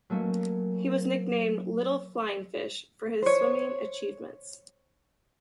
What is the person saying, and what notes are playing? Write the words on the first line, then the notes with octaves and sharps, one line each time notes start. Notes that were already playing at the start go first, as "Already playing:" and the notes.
He was nicknamed "Little Flying Fish" for his swimming achievements.
F#3 A3 A#3 C#4
C5 C#5